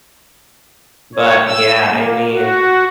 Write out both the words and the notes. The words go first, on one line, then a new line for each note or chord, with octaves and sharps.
but yeah, I mean,
C#5
E6
A#3
F#4